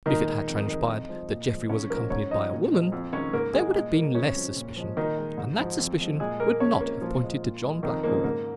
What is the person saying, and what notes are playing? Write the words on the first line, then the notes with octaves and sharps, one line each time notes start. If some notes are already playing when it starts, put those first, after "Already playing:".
But if it had transpired that Jeffrey was accompanied by a woman, there would have been less suspicion, and that suspicion would not have pointed to John Blackmore.
A#2 D#3 D#4
G#3
F2
D#3 G#3
F2
F3 G#3
A#2
F3 G#3
G#2 C#4 C#5
F3 G#3 A#3 A#4
G#2 C#4 C#5
F3 G#3 D#4 D#5
A#2
F3 G#3
F2
D#3 G#3 C#4 C#5
G#2 A#3 A#4
D#3 G#3 G#4
A#2 G#3
G#3 A#3
F2 C#3 C#4
C#3 F3 G#3
A#2
F3 G#3
A#2 D#3 D#4
G#3
G#2
F3 G#3
F2
F3 G#3
A#2 G#3 G#4
G#3 A#3 A#4
F2 C#4 C#5
F3 G#3 A#3 A#4
A#2 F3 F4
F3 G#3
A#2
G#3
F2 D#3 D#4
C#3 F3 G#3 A#3
G#2 A#3